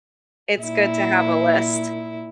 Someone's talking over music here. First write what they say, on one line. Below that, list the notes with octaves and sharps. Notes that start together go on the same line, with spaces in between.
it's good to have a list.
A#2 E4